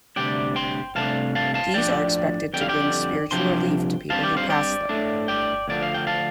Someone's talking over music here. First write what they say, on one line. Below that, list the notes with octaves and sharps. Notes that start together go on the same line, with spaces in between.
These are expected to bring spiritual relief to people who pass them.
D2 C3 G3 D4 D5 G5
G5 C6
C2 C3 A3 D4 F5 A5
F5 A5
F5 A5
A2 F3 D4 D5 G5
F2 D3 G3 G5
F5
D5 G5
C2 C3 F3 D4 G5 C6
G2 G3 C4 F5 A5
D5 G5
C5 F5
D5 G5
A2 A3 D4
D5 G5
D2 D3 F3 D4 D5
F5
G5
F5 A5